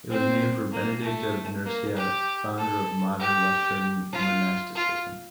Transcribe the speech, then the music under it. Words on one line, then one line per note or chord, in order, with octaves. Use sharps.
It was named for Benedict of Nursia, founder of modern western monasticism.
C4
A#3
A3
A#3
G4
A4
G4
F4
F4